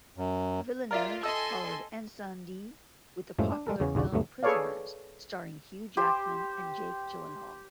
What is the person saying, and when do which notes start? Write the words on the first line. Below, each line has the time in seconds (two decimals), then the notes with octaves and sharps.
Villeneuve followed "Incendies" with the popular film "Prisoners", starring Hugh Jackman and Jake Gyllenhaal.
0.17 F#2
0.91 F4 A#4 D5 E5
1.23 A4 D#5 G#5 C6 E6
3.39 F#2 A2 F3 G#3 A3
3.52 D4
3.67 G3 G#3 A4 A#4
3.80 E2 C#3 B3 C#4
3.95 A#1 D#2 C#3 F#4 D5
4.13 D2 G2 F#3 A3 B3
4.43 G#4 A4 B4 C#5 D5 F5
5.97 G4 C5